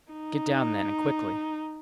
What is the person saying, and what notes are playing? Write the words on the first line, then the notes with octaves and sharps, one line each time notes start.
"Get down then and quickly."
D#4